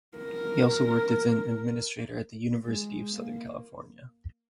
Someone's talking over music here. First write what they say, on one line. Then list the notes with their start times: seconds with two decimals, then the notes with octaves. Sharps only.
He also worked as an administrator at the University of Southern California.
0.17 A#4
2.63 G#3
3.12 A#3